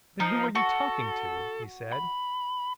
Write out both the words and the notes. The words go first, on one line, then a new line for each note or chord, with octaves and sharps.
"Then who are you talking to?" he said.
F3 D#4
F#4 A4
B5